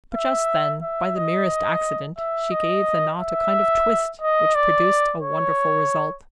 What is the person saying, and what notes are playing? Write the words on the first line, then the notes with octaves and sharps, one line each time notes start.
But just then, by the merest accident, she gave the knot a kind of twist, which produced a wonderful result.
E5
E5
D#5
E5
D#5
E5
D#5
D5
C#5